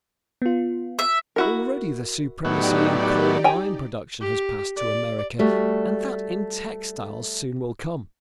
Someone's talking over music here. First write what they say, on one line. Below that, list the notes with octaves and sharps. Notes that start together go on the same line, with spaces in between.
Already the supremacy in coal and iron production has passed to America, and that in textiles soon will come.
B3 F4
E5
E4 F#4 A#4
A2 F#3 B3 D#4 G4 D5
G5 G#5 A#5
G4
D5
G3 A3 F#4